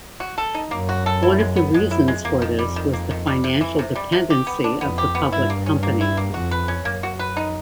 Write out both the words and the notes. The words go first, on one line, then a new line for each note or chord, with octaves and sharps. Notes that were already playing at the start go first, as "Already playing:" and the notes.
One of the reasons for this was the financial dependency of the public company.
F#4
A4
D#4
F#2 A#3
F#4
A4
E4
G#3
B3
F#2 G#3
E4
G#3
F2 A#3
D#3
G3
D#3
A#3
D#3
G3
C3
E3
C3
G3
C3
G4
B3
D4
F2 B3
G4
B3
G2 E4
A#3
C#4
A#3
E4
A#3
F2 F#4
B4
C#4
F#2 A#3
F#4
B4
D#4